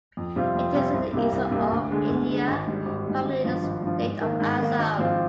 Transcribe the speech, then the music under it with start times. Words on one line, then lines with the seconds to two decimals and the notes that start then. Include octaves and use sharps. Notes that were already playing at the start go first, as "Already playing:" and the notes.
It is in the East of India, primarily in the state of Assam.
0.17 F2
0.36 C3 G3 C4 F4
0.55 F2
0.75 C3 G3 C4 F4
0.94 C2
1.13 C3 G3 A#3
1.32 C2
1.51 C3 G3 A#3
1.71 D2
1.90 D3 G#3
2.10 D2
2.29 D3 G#3
2.48 G#1
2.67 G#2 G3
2.86 G#1
3.06 G#2 G3
3.25 G#1
3.45 G2 F3
3.64 G#1
3.82 G2 F3
4.02 G#2
4.21 D#3 A#3
4.40 G#2
4.60 D#3 A#3
4.79 G#1
4.98 G#2 F3 C4 F4